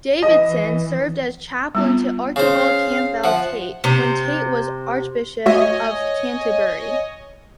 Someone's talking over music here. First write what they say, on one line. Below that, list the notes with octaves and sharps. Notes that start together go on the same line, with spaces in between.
Davidson served as chaplain to Archibald Campbell Tait when Tait was Archbishop of Canterbury.
E3 D#5
G3 B3 F4
C#3 C5 F5
F3 E5 F#5
C3 C5
A3 F#4 C#5 D#5 E5 G#5